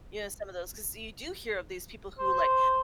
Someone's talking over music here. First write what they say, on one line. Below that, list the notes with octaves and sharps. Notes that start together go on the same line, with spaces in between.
you know, some of those, 'cause you do hear of these people who like
C5